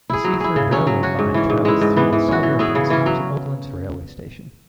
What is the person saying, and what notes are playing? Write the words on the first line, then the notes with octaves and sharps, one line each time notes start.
The Seaford railway line travels through the suburb and stops at Oaklands railway station.
E4 G#4
F#3
E4 G#4
C#3
F#3 C#4
F#3
C#4 F#4
G#2
E3 C#4
G#2
G#3 E4
G#2
E3 B3
E3
C#4 F#4
E3
B3 E4 G#4
C#3
E3 C#4
F#3